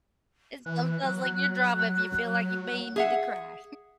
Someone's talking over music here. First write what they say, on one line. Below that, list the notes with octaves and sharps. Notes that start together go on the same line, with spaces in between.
And sometimes like your drama if you feel like you may need to cry.
E3 F#6
F#3
G#4 E5 F#5